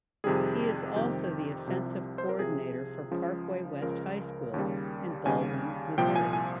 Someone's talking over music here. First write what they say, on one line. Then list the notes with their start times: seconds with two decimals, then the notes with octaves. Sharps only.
He is also the offensive coordinator for Parkway West High School in Ballwin, Missouri.
0.24 F2 C3 D#3 G3 G#4
0.96 F2 C3 D#3 G3 G4
1.67 C2 C3 F3
2.18 C5
2.29 A#4
2.39 C2 C3 F3 G#4
3.11 C#2 C#3 F3
3.82 C#2 C#3 F3 A#4
4.54 D#2 C#3 G3
5.25 D#2 C#3 G3 G#5
5.97 C2 A#2 F3 G5
6.16 G#5
6.33 G#5